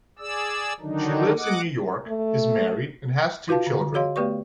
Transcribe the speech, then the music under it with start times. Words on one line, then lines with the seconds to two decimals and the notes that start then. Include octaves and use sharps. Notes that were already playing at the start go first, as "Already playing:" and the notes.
She lives in New York, is married and has two children.
0.19 G#4 D5 E6
0.80 D3 D#3 F#3 D4 D#4
1.37 D#5 F#5 D6
2.08 A3
3.48 F4 F#4 B4 F5 A5
3.67 D3
3.81 D3
3.94 F#4 G#4 C#5 D#5 F5 C6
4.16 A3 B3 G4 B4 D5 C#6